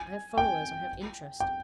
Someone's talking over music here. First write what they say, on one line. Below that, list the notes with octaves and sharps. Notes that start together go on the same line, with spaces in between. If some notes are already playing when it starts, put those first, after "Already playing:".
I have followers,--I have interest.
Already playing: G#5
G5
G5